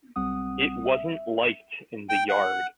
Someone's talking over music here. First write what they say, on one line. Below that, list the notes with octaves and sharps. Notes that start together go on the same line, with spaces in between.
It wasn't liked in the yard.
B1 G3 C4 F#5 D#6
E5
G5
F#5